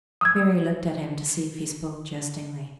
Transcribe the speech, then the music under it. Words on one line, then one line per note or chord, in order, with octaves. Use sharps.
Mary looked at him to see if he spoke jestingly.
D#6 E6 G#6